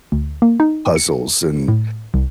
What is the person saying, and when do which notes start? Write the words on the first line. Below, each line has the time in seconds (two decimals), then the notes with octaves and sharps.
puzzles and
0.12 D2
0.42 A#3
0.60 D#4
0.96 C#7
1.68 A2
2.14 C2